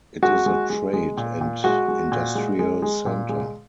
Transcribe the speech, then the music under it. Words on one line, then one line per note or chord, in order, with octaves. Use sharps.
It is a trade and industrial center.
G#3 F#4
G#3
G#3
G#3
A#2
A#2
G#3 F#4
G#3
A#2
G#3
G#3
G#3
A#2
G#3